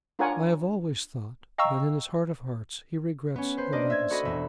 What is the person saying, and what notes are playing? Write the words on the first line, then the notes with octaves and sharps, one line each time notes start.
I have always thought that in his heart of hearts he regrets the legacy.
D4 F4 A#4 C#5 F#5 G#5
D#5 F5 G5 A#5 C#6 E6
B3 C#4
B4 C5
A#3 D4 D5 D#5
E5 G#6
F#4 A4 D#5 B5
E1 E5